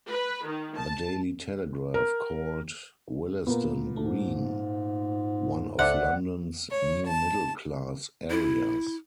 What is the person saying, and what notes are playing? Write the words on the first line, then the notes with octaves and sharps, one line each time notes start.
The Daily Telegraph called Willesden Green one of London's "new middle class" areas.
B4
D#3
A5
A#4
A#2 A#3 B3
G#2 A3
C#2 A4 C5 D5 E5 F#5
C#5
A5
E4